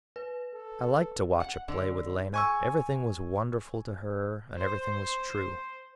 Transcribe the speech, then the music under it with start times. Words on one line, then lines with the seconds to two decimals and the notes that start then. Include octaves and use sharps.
I liked to watch a play with Lena; everything was wonderful to her, and everything was true.
0.16 B4
0.55 A4
1.40 F#5
1.68 D3
2.34 G#5 C#6 E6
4.57 C5